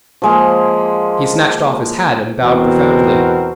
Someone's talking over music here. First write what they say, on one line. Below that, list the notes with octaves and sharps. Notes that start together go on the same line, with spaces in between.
He snatched off his hat and bowed profoundly.
F3 G#3 A#3
E2 B2 C4 F#4 A#4